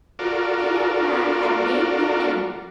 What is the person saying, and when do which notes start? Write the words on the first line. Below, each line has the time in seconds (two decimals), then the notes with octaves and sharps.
The young man had made no enemy.
0.19 F4 F#4 A4 A#4 D5